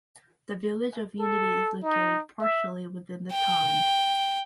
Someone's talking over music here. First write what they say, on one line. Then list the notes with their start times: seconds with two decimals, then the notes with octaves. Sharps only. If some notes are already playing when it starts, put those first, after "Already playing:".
The Village of Unity is located partially within the town.
1.19 A4
1.83 D#4
2.41 E5
3.33 G5